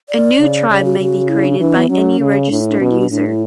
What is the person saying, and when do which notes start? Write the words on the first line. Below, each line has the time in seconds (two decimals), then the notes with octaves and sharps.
A new tribe may be created by any registered user.
0.09 D5
0.39 C#3
0.70 C#3 D5
0.85 F#4
1.00 C#3 F#4
1.29 E4
1.45 D4
1.60 E3 D4
1.75 B3
1.90 F#3 C#4
2.20 C#3
2.50 A2 D4
2.61 E4
2.70 D4
2.80 B2 C#4
2.91 E4
3.00 D4
3.10 A2 D4
3.26 E4